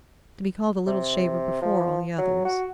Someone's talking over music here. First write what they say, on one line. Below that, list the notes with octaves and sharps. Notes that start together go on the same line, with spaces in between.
To be called "a little shaver" before all the others!
C3
F3
F#3
F#4